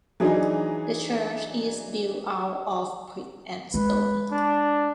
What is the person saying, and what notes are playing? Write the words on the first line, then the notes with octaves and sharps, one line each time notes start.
The church is built out of brick and stone.
E3 F#3 D4 D#4 G#4
G#3 B4
D4